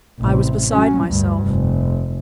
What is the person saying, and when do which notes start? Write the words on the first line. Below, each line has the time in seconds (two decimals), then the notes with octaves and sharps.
I was beside myself.
0.20 A1 C3
0.71 F#3 C#4
1.04 D2 G2
1.45 F1